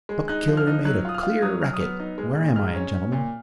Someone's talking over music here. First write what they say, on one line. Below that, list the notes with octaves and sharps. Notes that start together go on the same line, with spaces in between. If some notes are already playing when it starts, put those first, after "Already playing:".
"Buck-killer made a clear racket. Where am I, gentlemen?"
G#3
D#4 F#6
F3
F6
D#4
F#3 F#6
F4 D#6
F6
F4
F#3 D#6
F#3 F6
D#6
B3 F6
D#4
G#3
A#2
G#2 F6
C#4
C#4
A#2